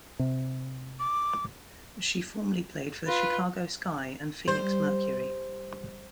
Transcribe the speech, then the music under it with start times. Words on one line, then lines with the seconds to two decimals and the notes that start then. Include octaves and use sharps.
She formerly played for the Chicago Sky and Phoenix Mercury.
0.19 C3
0.99 D6
3.07 F4 B4
4.48 G3 C5